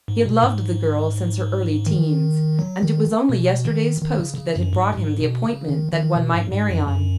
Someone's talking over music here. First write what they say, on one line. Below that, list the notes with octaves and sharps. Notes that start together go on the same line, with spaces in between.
He had loved the Girl since her early teens, and it was only yesterday's post that had brought him the appointment that one might marry on.
G#2
B2
G#2
D#3
F#3
D#3
B2
D#3
D#3
C#3
C#3
F#2
G#2
G#2
B2
C#3
D#3
D#3
B2
G#2
G#2
F#2
F#2